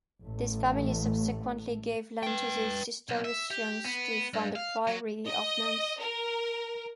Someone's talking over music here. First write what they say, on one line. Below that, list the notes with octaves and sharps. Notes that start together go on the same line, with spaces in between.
This family subsequently gave land to the Cistercians to found a priory of nuns.
A1 A3
B4 G5
B1
E5
G4
B3
G2
F5
F#3
D#5
A#4